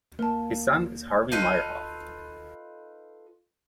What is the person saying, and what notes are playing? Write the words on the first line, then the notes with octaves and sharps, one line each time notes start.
His son is Harvey Meyerhoff.
A#3 A#4 A5
D#4 F4 A4 B4